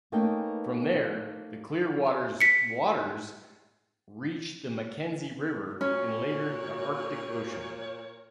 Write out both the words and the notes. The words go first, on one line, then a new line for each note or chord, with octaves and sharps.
From there the Clearwater's waters reach the Mackenzie River and later the Arctic Ocean.
A3 A#3 C#4 D#4 B4 G5
B6 C#7
A#2 C#4 F#4 A#4 C#5